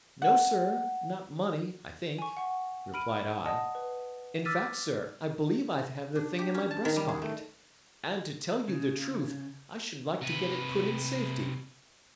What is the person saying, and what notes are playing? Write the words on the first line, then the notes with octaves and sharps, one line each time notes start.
"No, sir; not money, I think," replied I. "In fact, sir, I believe I have the thing in my breast pocket; and to tell you the truth, I should like to get it put in safety."
F#5
G#5 C#6
F#5 C#6
B5 F6 D7 D#7
D5 D#5 F#5 A5 D#6
B4
D6 E6 F6 A6 B6 D#7
D4
G4
C#4
A5
D#3
G3
G#4
A3
C#3
C3 B4